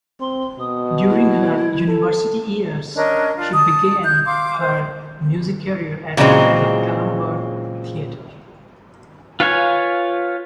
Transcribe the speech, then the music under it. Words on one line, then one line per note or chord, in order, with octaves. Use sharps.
During her university years, she began her music career at the Kalambur theater.
C4 C6
B2 D#6
E4
A4
C#4 D4 A#4 D#5
D4 F4
A5 D#6
F#6 G6
F5 C6 D6
C5
A#2 C#3 E3 F#3 G#3 C4
F4 B4 C#5 F5 G#5